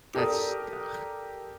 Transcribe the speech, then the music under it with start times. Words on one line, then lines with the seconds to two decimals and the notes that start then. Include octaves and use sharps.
That's ugh.
0.15 G4 A4 A#4 D5 D#6